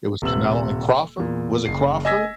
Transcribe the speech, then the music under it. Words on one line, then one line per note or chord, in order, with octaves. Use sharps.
It was Canelo and Crawford? Was it Crawford?
D#1 C3 B4 E6 F#7
E2 A#2
F#1 C7
D#5 G#5 E6 G#6 A#6 B6